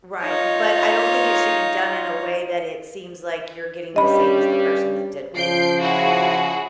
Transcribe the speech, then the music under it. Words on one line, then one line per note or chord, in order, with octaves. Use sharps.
Right, but I don't think it should be done in a way that it seems like you're getting the same as the person that did win.
D#4 F4 C#5
G2 G3 C#4 D#5 B5
C#3 F3 G6 C7 D7
E4 F#4 G#4